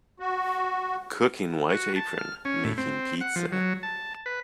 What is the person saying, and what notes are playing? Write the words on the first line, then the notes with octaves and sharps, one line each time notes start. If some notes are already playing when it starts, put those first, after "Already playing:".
Cook in white apron making pizza.
F#4
F#4
A5
F6
C#4
A2
C4
F#5
F3
F#3
A5
B4